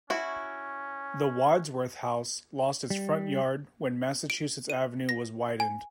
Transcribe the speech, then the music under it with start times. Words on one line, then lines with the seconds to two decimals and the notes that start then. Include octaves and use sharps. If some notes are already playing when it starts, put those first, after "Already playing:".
The Wadsworth House lost its front yard when Massachusetts Avenue was widened.
0.10 C#4 E4 F#4
2.90 G3
4.30 D7
4.70 D#7
5.09 A#6
5.60 G#5